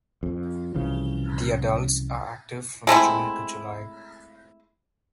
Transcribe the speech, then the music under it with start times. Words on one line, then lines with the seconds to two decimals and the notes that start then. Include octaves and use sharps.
The adults are active from June to July.
0.23 F2
0.75 C2 C#3 E3 F3
2.87 G#3 A3 C4 E4